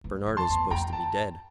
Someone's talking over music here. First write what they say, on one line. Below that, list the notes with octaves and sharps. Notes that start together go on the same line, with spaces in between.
"Bernard is supposed to be dead."
G2
F2
A5 C6
E2
F2 G5 A#5
A5